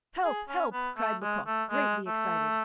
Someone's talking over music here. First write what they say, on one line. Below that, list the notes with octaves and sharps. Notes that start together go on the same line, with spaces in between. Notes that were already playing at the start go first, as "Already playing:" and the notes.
"Help! help!" cried Lecoq, greatly excited.
G#4
C#4
B3
A3
G#3
A3
G#3
A3